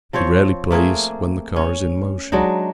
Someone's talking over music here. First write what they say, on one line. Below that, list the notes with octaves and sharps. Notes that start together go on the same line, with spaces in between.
He rarely plays when the car is in motion.
F3 C4 C5 C#5
A3 A#3 C4 G#4
C#4
F#3 G#3 D4 D#4